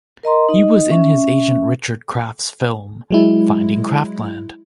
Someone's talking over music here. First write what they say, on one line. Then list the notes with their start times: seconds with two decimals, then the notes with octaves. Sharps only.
He was in his agent Richard Kraft's film "Finding Kraftland".
0.23 A#4 D#5 A#5 C6
0.49 D#4 D#5
0.90 C#4 E5
3.11 F#3 G#3 E4